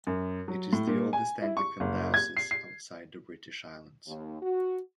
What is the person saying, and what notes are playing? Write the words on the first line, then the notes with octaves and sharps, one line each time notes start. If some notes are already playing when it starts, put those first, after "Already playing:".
It is the oldest Anglican diocese outside the British Islands.
F#2
F#3
A2
A#2
G#5
E4
C#6
F#1
G#6
C7
C7
D#2
F#4